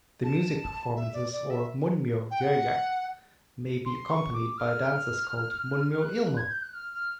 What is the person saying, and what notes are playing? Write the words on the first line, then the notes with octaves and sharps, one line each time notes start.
The music performances or "munmyo jeryeak" may be accompanied by dances called "munmyo ilmu".
A5
E5
D5
D5
E5
G5
F#5
C6
C#6
D6
F6
F6
F#6
G#6
G6
F#6
F6
F6